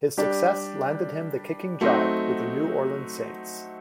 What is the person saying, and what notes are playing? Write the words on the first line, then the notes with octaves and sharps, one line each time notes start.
His success landed him the kicking job with the New Orleans Saints.
G3 D4 G4
F#3 A3 C4 D#4 F#4